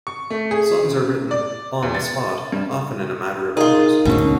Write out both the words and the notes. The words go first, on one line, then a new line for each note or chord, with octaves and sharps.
Songs are written "on the spot", often in a matter of hours.
C#6
A3
G#4
C#3
D5
E2
A6
G2
D#4 F4 G#4 A#4
D2 G#2 B2 F#3 C#4